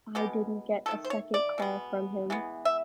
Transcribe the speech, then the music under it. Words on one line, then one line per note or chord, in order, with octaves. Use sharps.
I didn't get a second call from him'.
B2 G#3 B3 G4
F#3 A3 A4
D#3
C5
C#5
D5
B2 G#3 B3
E3 G#3 B3
E5